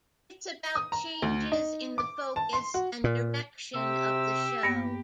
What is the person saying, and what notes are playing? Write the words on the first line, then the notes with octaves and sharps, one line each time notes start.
It's about changes in the focus and direction of the show.
D#6
A#5
D2
D#4
D6
A5
C6
F#4
A#2
C3 G4 E6
G2 A#3 B3